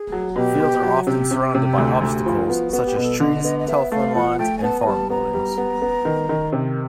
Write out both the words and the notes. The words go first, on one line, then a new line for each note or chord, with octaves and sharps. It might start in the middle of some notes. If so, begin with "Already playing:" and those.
Fields are often surrounded by obstacles such as trees, telephone lines, and farm buildings.
Already playing: G#4
F#3
B2 G4
B2
F#3
C3 G4
C3
C3
D2
D2
F3
B3 F#4
F#4
B3
G4
B2 G#4
A4
D3 D#5
B3 D#5
D#5
B3 E5
A3 F5
F3 F#5
A3 G5
G#5
B3 A5
G#5
G3 A5
B3 A#5
G3
B3
B3
D#3
D#3
C3